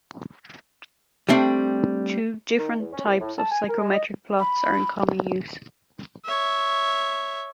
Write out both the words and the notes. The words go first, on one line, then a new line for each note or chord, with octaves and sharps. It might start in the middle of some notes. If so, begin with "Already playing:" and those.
Two different types of psychometric plots are in common use.
G3 A3 C4 D4
D#3
E2
C#4
C2
A2
A5
G#5
A#4
G#3
D#5
B5
C#5 E5